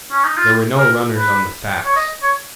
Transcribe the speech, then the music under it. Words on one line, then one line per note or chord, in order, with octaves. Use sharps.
There were no runners on the sacks.
C#4
D#4
F4
A#4
B4
C#5
D#5
C#5